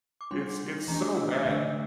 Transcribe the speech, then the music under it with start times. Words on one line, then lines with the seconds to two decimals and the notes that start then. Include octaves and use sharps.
It's it's so bad.
0.21 D6
0.31 G3 D4 C6
0.88 E3 A3 D4 A#5
1.02 D6
1.17 E6
1.32 E6
1.46 D3 A3 D4